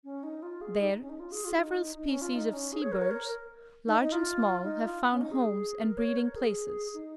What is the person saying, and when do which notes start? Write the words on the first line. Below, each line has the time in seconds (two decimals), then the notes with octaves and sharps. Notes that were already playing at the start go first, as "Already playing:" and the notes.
There several species of sea birds, large and small, have found homes and breeding places.
0.04 C#4
0.23 D#4
0.43 F4
0.61 G#4
0.81 D#4
1.00 C#4
1.09 D#4
1.20 F4
1.32 G#4
1.45 F4
1.57 D#4
1.96 D#4
2.09 C#4
2.22 F4
2.34 D#4
2.53 C#4
2.73 G#4
2.82 C#5
2.92 A#4
3.01 C#5
3.11 A#4
3.87 D#4
4.01 D#4
4.12 F4
4.63 D#4
4.84 F4
5.12 C#4
5.21 D#4
5.31 G#4
5.79 A#4
5.98 C#5
6.18 A#4
6.36 G#4
6.94 D#4